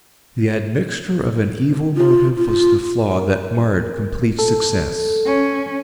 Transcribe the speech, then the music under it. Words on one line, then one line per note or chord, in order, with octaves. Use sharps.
The admixture of an evil motive was the flaw that marred complete success.
F4
F4
A#4
A4
C#4